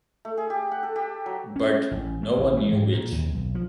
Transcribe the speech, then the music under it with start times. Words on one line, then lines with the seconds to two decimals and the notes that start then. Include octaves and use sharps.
But no one knew which.
0.25 A3
0.38 G#4
0.50 G4
0.71 F#5
0.83 A4
0.96 G4
1.26 F#3
1.56 C#4
1.91 A1
2.23 A3
2.37 A1
2.57 E3
2.73 G#2
2.94 A#2
3.12 D#2
3.35 B1
3.55 F3